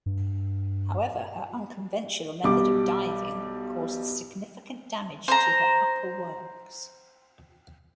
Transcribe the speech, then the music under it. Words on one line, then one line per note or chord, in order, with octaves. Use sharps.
However, her unconventional method of diving caused significant damage to her upper works.
G2
B1 G3 D6
C5 A#5